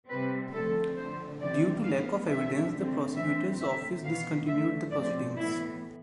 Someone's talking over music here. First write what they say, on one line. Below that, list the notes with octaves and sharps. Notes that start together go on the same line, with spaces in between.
Due to lack of evidence, the Prosecutor's Office discontinued the proceedings.
C3 G3 C4 B4
D3 F3 A3 C4 A4
D3 F3 A3 C5
C3 E3 G3 C4 D5
A2 G3 B3 F5
C3 F3 A3 E5
D3 A3 C4
E3 A3 C4 E5
D3 A3 C4 E5
B2 B3 F5
D3 F3 A3 E5
A2 F3 C4 D5
A2 E3 B3 E4